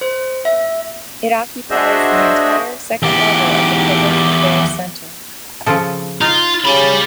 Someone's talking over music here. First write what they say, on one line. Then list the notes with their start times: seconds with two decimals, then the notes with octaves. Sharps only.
It occupies the entire second level of the Public Affairs Center.
0.01 C5
0.45 E5
1.70 D4 F#4 G#4 C5 D#5 E5
3.02 E2 G4
5.66 C#3 F3 A4
6.21 D#4 F4
6.65 C#3 G4 B5